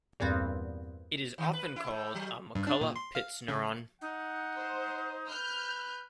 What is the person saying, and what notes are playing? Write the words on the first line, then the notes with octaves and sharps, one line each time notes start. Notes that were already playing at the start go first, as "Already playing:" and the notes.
It is often called a McCulloch-Pitts neuron.
E2 G2 A#2 B3 C4
D#3
B4
E4
A2
F#3
G2
D4
A#2
C6
F5
C#3
D#4 F#5
C5
B4 F6 G6